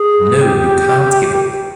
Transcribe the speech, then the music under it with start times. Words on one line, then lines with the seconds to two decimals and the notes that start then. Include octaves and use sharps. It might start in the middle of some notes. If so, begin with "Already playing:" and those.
No, you can’t give up.
Already playing: G#4
0.41 G4